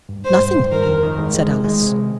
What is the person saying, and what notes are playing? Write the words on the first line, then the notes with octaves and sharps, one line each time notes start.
'Nothing,' said Alice.
G2
G2 C5
G2
G2
D#3 A#4
F2
D#3
G#3
G#3
D#3
G#3
C3